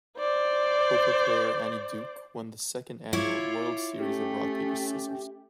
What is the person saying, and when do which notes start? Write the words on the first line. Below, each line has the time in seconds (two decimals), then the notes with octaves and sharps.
Poker player Annie Duke won the Second Annual World Series of Rock Paper Scissors.
0.18 C5 D5
3.13 E4 F4 C#5 D6
4.00 A3 C#4 G4